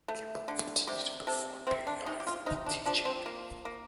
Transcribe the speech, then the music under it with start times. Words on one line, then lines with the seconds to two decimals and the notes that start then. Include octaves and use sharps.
Kimball continued to perform periodically while teaching.
0.08 A3
0.48 D3
0.87 C3 G4
1.27 C3 A4
1.67 C3 C4
1.87 D4
2.06 C3 D#4
2.20 G4
2.27 F4
2.46 C3 D#4
2.66 D4
2.86 F3 D4
3.05 C4
3.26 A#3
3.65 A#3